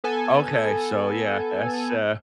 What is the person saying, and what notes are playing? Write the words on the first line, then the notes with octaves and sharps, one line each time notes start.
Okay, so, yeah, that's, uh
B3 A4 G#5